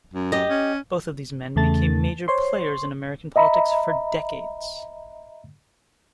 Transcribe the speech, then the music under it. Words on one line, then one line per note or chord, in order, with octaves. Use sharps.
Both of these men became major players in American politics for decades.
F#2
G4 D#5
C#4
E2 C#3 A3 A5 A6
C5 C#5 C6
D#5 E5 A#5 B5